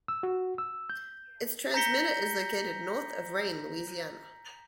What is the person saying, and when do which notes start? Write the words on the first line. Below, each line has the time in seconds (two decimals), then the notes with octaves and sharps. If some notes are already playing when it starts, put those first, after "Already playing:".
Its transmitter is located north of Rayne, Louisiana.
0.08 E6
0.23 F#4
0.58 E6
0.90 G6
1.74 A#5 G6 A#6 B6 C#7 G7